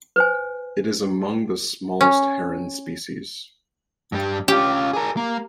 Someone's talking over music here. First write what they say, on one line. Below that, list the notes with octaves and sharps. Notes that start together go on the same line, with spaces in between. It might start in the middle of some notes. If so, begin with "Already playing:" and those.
It is among the smallest heron species.
B4 C5 G#5
C#4
G2 G3
C#4 F4 G4
G#4 A#4
A#3